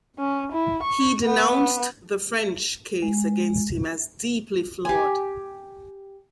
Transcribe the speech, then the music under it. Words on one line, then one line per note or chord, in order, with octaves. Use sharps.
He denounced the French case against him as deeply flawed.
C#4
E4
C#6
B3
G#3
G4 G#5